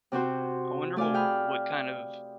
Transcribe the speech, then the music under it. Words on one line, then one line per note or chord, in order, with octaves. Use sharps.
I wonder wh what kind of
C3 C4 F#4 C5
A3 D5 F5 G#5
G#4 G5 B5 F6